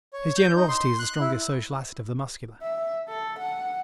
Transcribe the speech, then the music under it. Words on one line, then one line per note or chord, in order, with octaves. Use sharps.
His generosity is the strongest social asset of the Muscular.
C#5
G6
D#4
C6
F#6
E4
E5
A4
F#5